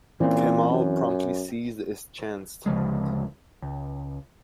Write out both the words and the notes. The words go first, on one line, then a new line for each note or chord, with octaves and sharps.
Kemal promptly seized his chance.
A#2 E3 C4 C#4
F#2
D2 C#3 F3 G#3
C#2